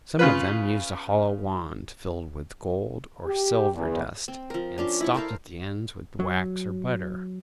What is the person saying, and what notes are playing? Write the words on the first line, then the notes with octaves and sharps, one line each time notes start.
Some of them used a hollow wand, filled with gold or silver dust, and stopped at the ends with wax or butter.
C#3 F4 B4
G4
E2
C4
F3 A#4
C#4 D4 F4
E4 D5 C#6
A4 A#4 C5 F5
F#3